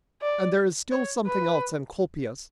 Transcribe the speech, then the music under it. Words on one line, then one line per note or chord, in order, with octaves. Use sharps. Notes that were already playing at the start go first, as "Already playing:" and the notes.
And there is still something else, Encolpius.
D5
C#5
B4